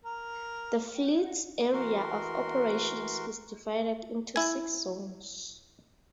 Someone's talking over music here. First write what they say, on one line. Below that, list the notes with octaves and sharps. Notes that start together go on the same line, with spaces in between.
The fleet's area of operations is divided into six zones.
A#4
E3 F#4 A#4 C6
E4 G#5